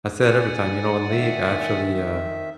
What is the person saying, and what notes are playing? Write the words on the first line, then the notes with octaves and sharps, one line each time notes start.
I say it every time, you know, in League, I actually, uh,
D5 F#5 G#5
D#3 E5